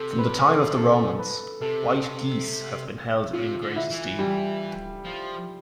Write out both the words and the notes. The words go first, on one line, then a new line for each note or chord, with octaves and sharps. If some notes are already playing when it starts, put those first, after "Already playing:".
From the time of the Romans, white geese have been held in great esteem.
Already playing: C3 A4
B4
A4
A4
B4
C3 A4
C3 F4
D3
E4
E3
G3
F3